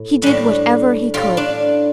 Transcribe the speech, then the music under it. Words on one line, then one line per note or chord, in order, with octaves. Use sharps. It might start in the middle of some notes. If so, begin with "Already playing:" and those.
He did whatever he could.
Already playing: A2
A2 G3 D4
A2 G3 F4
D4